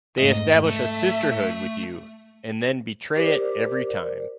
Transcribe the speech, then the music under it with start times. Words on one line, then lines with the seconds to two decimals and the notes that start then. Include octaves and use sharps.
They establish a sisterhood with you and then betray it every time.
0.18 F2 G#2 A3 D#5
0.64 A3 E5
3.16 G4 A#4 C5 D5